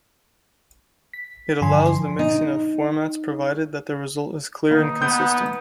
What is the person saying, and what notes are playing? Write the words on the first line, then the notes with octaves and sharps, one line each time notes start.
It allows the mixing of formats, provided that the result is clear and consistent.
B6
G2 D3 F3 G#5 C6 C7
D#4
D#3 A#3 D#4
B3 D#6 G6